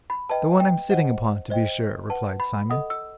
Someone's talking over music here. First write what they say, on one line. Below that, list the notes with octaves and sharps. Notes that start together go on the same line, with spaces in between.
'The one I'm sitting upon, to be sure,' replied Simon.
B5
B4 D#5 G5 A5
G5
C5 D#5 F#5
C5 D#5 G5
B4 F#5 A5
B5
A4 D#5 F#5 D#6
E6